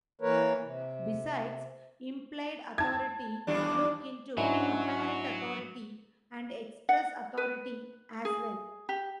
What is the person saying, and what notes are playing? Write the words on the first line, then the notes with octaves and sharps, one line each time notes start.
Besides Implied Authority, look into Apparent Authority and Express Authority as well.
E3 A#3 A#4 B4 C#5
C3
A5 G#6
D#2 G3 D4
G#2 F#3 C#4 D4 E4 F#4
F#5
B4
G#4
G4